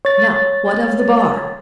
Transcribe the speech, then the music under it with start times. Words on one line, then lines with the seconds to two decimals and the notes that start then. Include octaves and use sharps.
Now what of the Bar?
0.05 C#5 A6